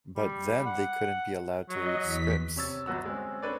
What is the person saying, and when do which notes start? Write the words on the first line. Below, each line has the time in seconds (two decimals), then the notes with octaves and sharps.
But then they couldn't be allowed to read scripts.
0.17 G3
0.66 F#5
1.69 F#3 D#5
1.99 E2 B6
2.56 C3 C#5 E6 A6
2.86 G1 F#3 B3 F#4 E6
3.05 G#3 C4 C#4
3.42 C4 D4 A4 B4 C#5 D5